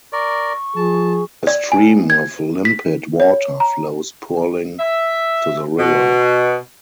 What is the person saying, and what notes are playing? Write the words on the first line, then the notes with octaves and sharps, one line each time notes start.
A stream of limpid water flows purling to the river.
A#4 D5 C#6
F3 G#4 A5
D5
G#5
G#6
B6
C#5
A#5
E5
B2